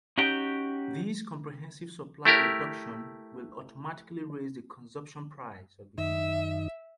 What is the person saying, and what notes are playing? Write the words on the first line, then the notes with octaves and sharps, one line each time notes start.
This comprehensive supply reduction will automatically raise the consumption price of the good.
C#4 D#4 F#4 G4 G5
A3 E4 G4 A#4
F#2 D#3 D#4 E5